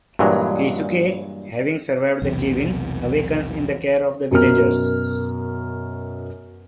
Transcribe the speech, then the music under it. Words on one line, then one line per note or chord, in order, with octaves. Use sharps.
Keisuke, having survived the cave-in, awakens in the care of the villagers.
G2 A#2 E3 F#3 G#3
B1 E2 C3
F#2 B2 A#4 F6